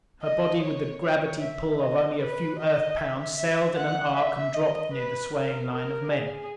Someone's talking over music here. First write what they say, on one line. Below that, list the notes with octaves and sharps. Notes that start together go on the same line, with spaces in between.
Her body, with the gravity pull of only a few Earth pounds, sailed in an arc and dropped near the swaying line of men.
D#5
C#5
C#5
E5
D#5
B4
D#5
E5
E5
F#5
E5
D#5
B4
A#4
A#4
G#4